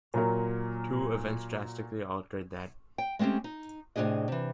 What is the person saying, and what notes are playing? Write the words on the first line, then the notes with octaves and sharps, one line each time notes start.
Two events drastically altered that.
A#2 F#3 A#4
G5
G#3 A3 C4 C#4 G4
D#4
A2 C3 D#3 D4 G#4 D#5
C3 E3